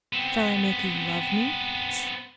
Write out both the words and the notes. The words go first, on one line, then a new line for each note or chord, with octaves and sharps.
Shall I make you love me?...
B3 C4